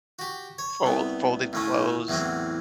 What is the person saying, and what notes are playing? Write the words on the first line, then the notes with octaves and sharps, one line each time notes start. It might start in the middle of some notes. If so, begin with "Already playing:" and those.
fol folded clothes
F#4 G4
C#5
C2 B3
A2 A3 C#4
E2 A2 F#3 C4